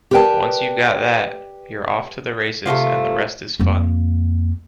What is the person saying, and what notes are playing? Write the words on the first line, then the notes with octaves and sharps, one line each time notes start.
Once you've got that, you're off to the races and the rest is fun.
G4 A#4 B4 D5 G5 A5
C3 A3 A#3 F4
F2 A#3